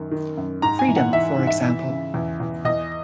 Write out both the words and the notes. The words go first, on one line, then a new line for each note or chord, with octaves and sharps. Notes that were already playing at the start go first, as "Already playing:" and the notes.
Freedom, for example.
Already playing: F#2 D#3
D#3
F#2
G#2 A#5
G#5
E3
F#5
E3 E5
G#2
E5
E3
C#3
E2
E2
E2 D#5